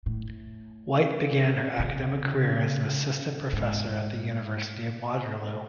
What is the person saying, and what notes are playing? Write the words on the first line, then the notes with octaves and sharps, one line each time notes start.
White began her academic career as an assistant professor at the University of Waterloo.
A2
C#3
G#2